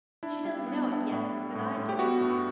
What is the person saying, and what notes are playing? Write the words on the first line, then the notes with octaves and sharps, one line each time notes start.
She doesn't know it yet; but I do.
D4 E4
G3
B3
D4
A2
G3
A2
A2
G4
B3 F#4
G2